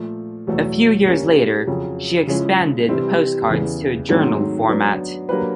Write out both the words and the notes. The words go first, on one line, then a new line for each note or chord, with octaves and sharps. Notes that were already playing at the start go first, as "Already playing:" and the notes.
A few years later, she expanded the postcards to a journal format.
Already playing: A#2 F3 A3
E2 B2 F#3 A3
G3 A#3 C#4
F2 C#3 F#3
C#3 F3 G#3 C#4 E4
C3 E3 G3 C4 E4
E2 C#3 E3
G#2 D#3 F#3 A3 C4
F#3 B3 D4
F#3 A#3 D4 G4 B4